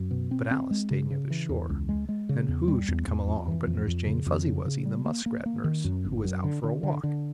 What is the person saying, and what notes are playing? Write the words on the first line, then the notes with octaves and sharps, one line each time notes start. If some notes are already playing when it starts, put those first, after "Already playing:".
But Alice stayed near shore, and who should come along but Nurse Jane Fuzzy-Wuzzy, the muskrat nurse who was out for a walk.
Already playing: F#2
B2
C4
C4
G#3
C#3
C#3
E3
E2
C#2
G#3
G#3
C#3
E2
G3
E2
E2
F2
E3
F2
F2
C#3
F2
C#3
C#3
G3
A#3
A#3
A#3
D#3
F#2
G1
F#2
D3
D3
D3
D3